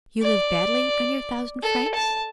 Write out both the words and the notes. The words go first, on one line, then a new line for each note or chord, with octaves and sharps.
"You live badly on your thousand francs?"
D5
A4
A5